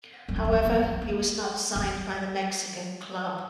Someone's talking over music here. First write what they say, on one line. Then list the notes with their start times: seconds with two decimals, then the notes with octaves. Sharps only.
However, he was not signed by the Mexican club.
0.28 G3
0.36 F#3
0.45 F3
0.52 F#3
0.65 F#3
0.83 G#3
1.02 A#3
1.75 B3